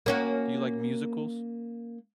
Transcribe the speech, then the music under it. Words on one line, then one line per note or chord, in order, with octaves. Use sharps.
Do you like musicals?
A#3 C#4 F#4